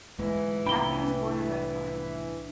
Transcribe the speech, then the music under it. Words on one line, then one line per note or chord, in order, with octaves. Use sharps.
Hackney was born in Redcar.
D1 G#2 E3 G#3
C2 A2 F3 D4 E4 G5 B5 G7